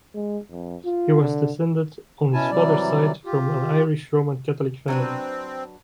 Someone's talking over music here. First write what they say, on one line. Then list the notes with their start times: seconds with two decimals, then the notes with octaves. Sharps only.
He was descended on his father's side from an Irish Roman Catholic family.
0.14 G#3
0.51 F2
0.85 F4
1.21 D3
2.33 B2 C#4 E4 G#5 A5
2.51 C3 E3 F#3 G3 D5
3.25 F4 G4
4.88 F#3 C4 D4 B4